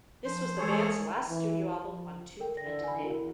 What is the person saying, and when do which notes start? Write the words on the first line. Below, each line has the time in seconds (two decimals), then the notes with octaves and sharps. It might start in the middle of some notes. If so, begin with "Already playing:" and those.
This was the band's last studio album on Tooth and Nail.
0.25 F3 C5
0.58 E3 G#3 G#4 A4 C#5
1.29 E3
1.83 F3
2.39 A4 A#4 G5
2.57 D3 A#6
2.84 G#5 B5
3.03 E4 F#4 A#4
3.15 E2